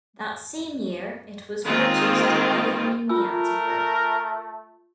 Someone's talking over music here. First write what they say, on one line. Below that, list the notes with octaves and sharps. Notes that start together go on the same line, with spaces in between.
That same year it was purchased by the Eminata Group.
D#3 G#3 A#3 C4 F4
A3 F4 A#4 G#5 E6